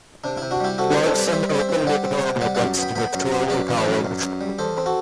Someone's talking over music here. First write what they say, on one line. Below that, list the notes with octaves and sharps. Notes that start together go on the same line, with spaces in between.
Clarkson opened at home against Victoria College.
C3 D4
C3 E4
D4 F#4
G3 E4 G4
C3 F#4 A4
C3 G4 B4
A4 C5
G3 B4 D5
G3 C5 E5
C4 D5
C5 E5
C4
G5
G3 D5 F#5
C4
C3
G3 D5 F#5
F#2 D5 F#5
B3 G5 B5
B3 G5 B5
F#2
B3
F#2 B4 D5
E3
B4 D5
F#2
F#2
F#2
G3
E2 A4 C5
C4
F#4 A4